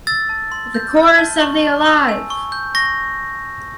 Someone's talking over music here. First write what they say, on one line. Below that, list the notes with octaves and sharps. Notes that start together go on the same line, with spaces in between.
The chorus of the Alive!
E6 A6
A5
C6
G6
F6
A5
C#6
A5
E6
G#5
C#6
G6
C#6 A#6